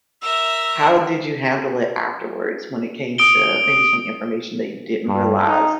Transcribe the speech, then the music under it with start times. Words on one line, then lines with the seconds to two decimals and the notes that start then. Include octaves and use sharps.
How did you handle it afterwards when it came to, uh, maybe some information that you didn't realize
0.22 A#4 E5 E6
3.18 D#6 D7 G7
5.07 G2
5.48 D#4